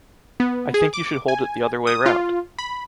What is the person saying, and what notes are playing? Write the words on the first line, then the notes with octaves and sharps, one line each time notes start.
I think you should hold it the other way round.
B3
G#4
D6
G#5
D#6
F4
B5